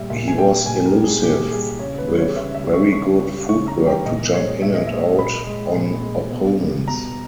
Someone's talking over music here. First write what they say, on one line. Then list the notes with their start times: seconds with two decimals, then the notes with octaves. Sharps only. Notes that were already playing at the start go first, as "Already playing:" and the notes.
He was elusive with very good footwork to jump in and out on opponents.
Already playing: A#2 G3 E5
0.10 A#2 E5
0.28 G#5
0.38 G3 G5
0.66 A#2 G#5
0.86 A#4
0.94 G3
1.04 G#4
1.23 A#2 G4
1.51 G3 G#4
1.79 C#3 C#5
1.98 B4
2.08 G3
2.17 C#5
2.36 C#3 E5
2.54 E5
2.64 G3
2.73 C#6
2.92 C#3 C#6
3.20 G3
3.49 C#3 C#6
3.68 A#5
3.77 G3
3.87 G5
4.05 A#2 D#5
4.34 G#3 C#5
4.62 A#2 E5
4.75 D#5
4.87 G#3 E5
5.18 A#2 B5
5.47 G#3
5.75 A#2
6.03 G#3
6.31 B2
6.60 G3
6.88 B2 A#5